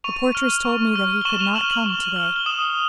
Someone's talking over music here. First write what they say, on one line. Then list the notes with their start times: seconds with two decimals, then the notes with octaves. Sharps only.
"The portress told me that he could not come to-day."
0.04 C#6 D#7 F7
0.35 F6
0.65 C#6
0.96 F6
1.21 G7
1.25 C#6 E7 F#7
1.40 F7 G7
1.55 F6 E7 F#7
1.71 E7 F#7
1.86 C#6
2.16 F6
2.36 G7
2.46 D#6 E7 F#7